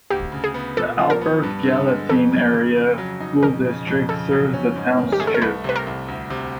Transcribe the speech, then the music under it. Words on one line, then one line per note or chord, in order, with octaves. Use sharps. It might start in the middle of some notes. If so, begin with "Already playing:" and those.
The Albert Gallatin Area School District serves the township.
D2 G4
C#3
G#4
B3
A#2 A4
F3
A#4
B3
G2
D3
G#3
F2 A4
C#3
F2
C#3
F#3
D#4
F2 A#4
C#3
F2
C#3 A4
F#3
C#4
G#2
D#3
G4
A3 G#4
A4
A#4
C2 B4
C3 B4
A#4
C2
D2
C3